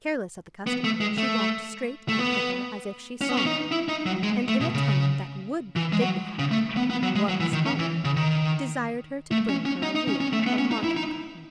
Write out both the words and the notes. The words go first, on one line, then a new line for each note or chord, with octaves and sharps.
Careless of the customer, she walked straight up to her as if she saw none, and in a tone that would be dignified, and was haughty, desired her to bring her a reel of marking-cotton.
B3
A3
G#3
A3
A3
B3
C#4
B3
C#4
D#4
E4
D#4
F#3
G#3
A3
B2
C#3
E3
G#3
F#3
C#3
A3
B3
B3
F#3
G#3
F#3
E3
D#3
C#4
E3
C#3
D#3
A3
C#4
C#4
D#4
D#4
C#4
C#4
A3
B3
C#4
D#4
E4
D#4